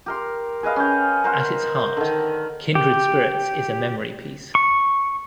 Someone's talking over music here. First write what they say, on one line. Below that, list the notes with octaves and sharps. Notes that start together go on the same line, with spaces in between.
At its heart, "Kindred Spirits" is a memory piece.
G4 A#4 C6
G#4 B4 D#5 F5
C#4 G5
A#4 C5 F#5
D3 D#3
G4
C#6